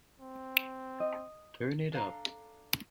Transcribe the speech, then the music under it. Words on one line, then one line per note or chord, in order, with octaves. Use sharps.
Turn it up!
C4
D#5
D4 A4 F5 A#5